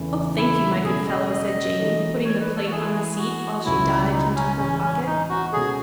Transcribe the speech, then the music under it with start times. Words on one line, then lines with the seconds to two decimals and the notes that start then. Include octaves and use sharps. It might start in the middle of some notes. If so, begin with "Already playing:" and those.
"Oh, thank you, my good fellow," said Jane, putting the plate on the seat, while she dived into her pocket.
Already playing: E2 C#3 E3 A3
0.37 E4
0.84 B2 G#3 C#4 F#4 G#4 A4
1.07 D#5
1.31 D#5
1.78 E3 A3 D#4 A4
2.25 C#5
2.40 B4
2.56 A4
2.67 F#4
2.71 E3 A3 E4 G#4 A4
3.18 F#4
3.65 C#2 B2 F#3 C#4 E4 F#4
4.12 D#4
4.36 C#4
4.59 A2 E3 G#3 C#4
4.83 C#4
5.06 D#4
5.29 F#4
5.52 B2 G#3 C#4 F#4 G#4 A4